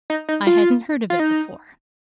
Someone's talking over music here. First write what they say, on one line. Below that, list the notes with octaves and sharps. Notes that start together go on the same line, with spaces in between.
I hadn't heard of it before.'
D#4
D#4
F4
F4
D#4